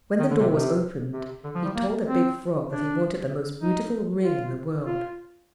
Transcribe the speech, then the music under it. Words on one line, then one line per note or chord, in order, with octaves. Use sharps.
When the door was opened, he told the big Frog that he wanted the most beautiful ring in the world.
D#3
D3
C3
C3
C3
D3
F3
G3
A#3
C4
D4
D#4
F4
F4